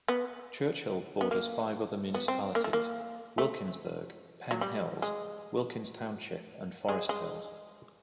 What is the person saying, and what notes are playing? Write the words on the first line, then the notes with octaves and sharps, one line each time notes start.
Churchill borders five other municipalities: Wilkinsburg, Penn Hills, Wilkins Township and Forest Hills.
B3
B3
A#3
B3
C4
A#3
A3
A#3
A3
F#3
G3
G#3
G#3
G#3